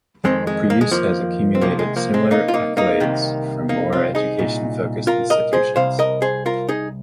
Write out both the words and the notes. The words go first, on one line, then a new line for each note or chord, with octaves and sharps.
Preuss has accumulated similar accolades from more education-focused institutions.
F2 D#3 G#3 C4
G#3
A#3
G#3
F3 A#3
C4
C2 C3 D#3 F3 A#3
G#3
F3 A#3
G#3 C4
A#3 D#4
F4
A#3 D#4
A#3 D#4
C2 C3 D#3
A#3 D#4
C4 F4
D#4 G#4
C2 A#2
F4 A#4
A#4 D#5
G#4 C5
C2 C3 C5 F5
A#4 D#5
G#4 C5
F4 A#4
D#4 G#4